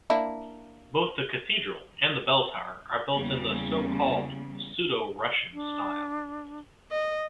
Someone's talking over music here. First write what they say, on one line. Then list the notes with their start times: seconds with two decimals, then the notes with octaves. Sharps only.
Both the cathedral and the belltower are built in the so-called pseudo-Russian style.
0.10 A#3 D4 E4
3.14 E2 C#3 G3 A#3
5.53 D4
6.91 D#5